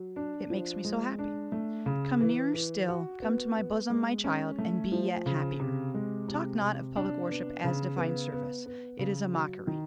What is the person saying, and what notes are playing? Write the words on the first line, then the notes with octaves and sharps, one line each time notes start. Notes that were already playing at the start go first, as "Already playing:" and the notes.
It makes me so happy!' 'Come nearer still--come to my bosom, my child, and be yet happier.'--Talk not of public worship as divine service; it is a mockery.
Already playing: F#3
D4
F3
G#3
D4
A3
C#3
E3
E3
F#4
B3
B3
G#3
C#4
A3
F3
C#3
C3
G#3
C3
C3
D4
B3
C#3
B3
B3
B3
C#3
F#3
D#3